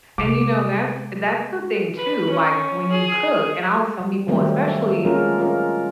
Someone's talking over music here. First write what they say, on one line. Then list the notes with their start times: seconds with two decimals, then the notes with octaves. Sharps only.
and, you know, that's that's the thing too, like, when you cook and I always tell people, especially
0.18 C3 G#3 D6
1.97 B4
2.30 C#4
2.92 G#4
4.00 G3
4.28 D#3 F#3 G3 A3 A#3 C4
5.04 G#3 A#3 C#4 F4 A#4
5.38 C#4 F4 A#4